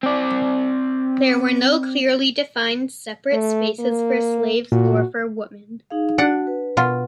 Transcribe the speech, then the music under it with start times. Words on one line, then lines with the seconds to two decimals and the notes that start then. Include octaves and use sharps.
There were no clearly defined separate spaces for slaves or for women.
0.03 C4 D5
3.33 A3
3.80 A#3
4.72 A#2 F#4
5.90 D#4 G#4 F5
6.18 D4 F#4 F#5
6.47 B4
6.77 B2 F4